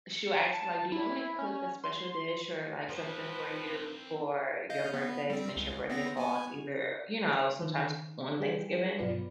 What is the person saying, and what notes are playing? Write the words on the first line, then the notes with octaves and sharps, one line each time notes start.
,she will ask me, like, "Do you want me to cook a special dish or, like, something for you for your birthday since your birthday falls either, you know, sometimes on Thanksgiving?"
C#7
A5
E4
C#4
C6
F3 C4 A#4 B4
D#5 F5 G6
B3
G3 C4
C#2
B3 C4 A#6
B3 G#5
D#3
G3 G#4 G5
G2 B2 F#3 F4 B4 D5